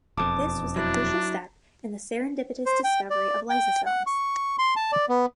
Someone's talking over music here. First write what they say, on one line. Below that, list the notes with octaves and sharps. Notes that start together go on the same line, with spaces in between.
This was the crucial step in the serendipitous discovery of lysosomes.
E1 F2 A5 D6
F#3 D4 E4
C5
G5
D5
G5
F#5
C#6
C6
A5
D5
B3